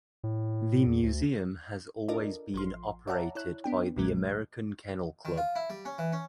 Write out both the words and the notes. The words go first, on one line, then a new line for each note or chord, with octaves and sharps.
The museum has always been operated by the American Kennel Club.
A2
E2
D2
D4 F4 A4 A#4 D5 D#5
A1 F3 C6
C#5 D5 E5 F#5 A5 A#5
E4 C#5 F#6
B3 D4 G5
B1 E2 A#2 D3 F#3 G#3
D#3
F4
E4
G3
C#4
E3
C#4